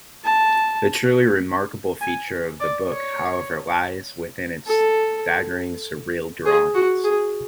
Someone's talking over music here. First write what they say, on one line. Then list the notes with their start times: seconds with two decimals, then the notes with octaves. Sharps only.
The truly remarkable feature of the book, however, lies within its staggering surreal drawings.
0.24 A5
2.01 G#5
2.60 D5
2.90 C#5
4.67 A4
6.45 G#4
6.75 F#4
7.04 G#4